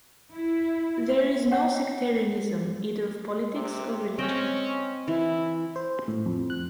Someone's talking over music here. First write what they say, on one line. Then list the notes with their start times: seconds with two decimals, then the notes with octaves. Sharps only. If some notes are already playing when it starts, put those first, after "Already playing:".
There is no sectarianism, either of politics or religion.
0.35 E4
1.51 C#5 F#5 G5
3.53 C3
4.19 C4 C#4 D#5 G5
5.08 E3 E4
5.76 C5
6.08 A2
6.26 F2
6.50 F#6